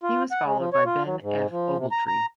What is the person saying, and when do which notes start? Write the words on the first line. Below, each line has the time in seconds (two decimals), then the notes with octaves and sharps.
He was followed by Ben F. Ogletree.
0.03 F4
0.31 F#5
0.45 G#3
0.59 F3
0.73 C#5
0.86 F4
1.05 F#3
1.22 G#2
1.51 F3
1.78 C3
1.92 A#5
2.08 A#5